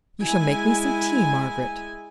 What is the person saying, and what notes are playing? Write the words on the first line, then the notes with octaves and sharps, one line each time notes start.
You shall make me some tea, Margaret.
G#3 E4 G#5